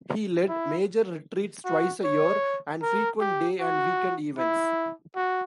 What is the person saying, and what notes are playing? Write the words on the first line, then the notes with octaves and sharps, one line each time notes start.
He led major retreats twice a year and frequent day and weekend events.
E4
F#4
C#5
A#4
G4
F#4
E4
F#4